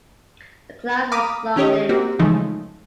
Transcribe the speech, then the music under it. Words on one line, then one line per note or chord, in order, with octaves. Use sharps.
The class was long-lived.
F5 A#5 B5 D6 D#6
D#3 C#4 G4 C#5 D#5
A#3 C4 F#4 G4
C#3 E3 F3 G#3 A3 D#4